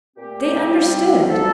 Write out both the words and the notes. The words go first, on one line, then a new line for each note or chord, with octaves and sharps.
They understood.
A#2 A3 C4 G4
C3 G3 C4
F3 A3 D#4 A4